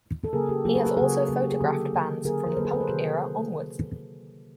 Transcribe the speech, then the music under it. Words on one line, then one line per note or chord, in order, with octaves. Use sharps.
He has also photographed bands from the punk era onwards.
A4
C#3 F#3 A#3 G#4 A#4
G4 A4
C#3 F#3 A#3 F#4 G#4
A4 B4
G#4 A#4
C#3 F#3 A#3 F#4 G#4
C#3 F#3 A#3
G4
G#4
D3 F#3 A#3 G4 A4
D3 F#3 A#3
D3 F#3 A#3 G#4 A#4
A#4 C5
D3 F#3 A#3 A4 B4
G#4 A#4
A4 B4
A#4 C5
C3 D#3 G3 F#4 G#4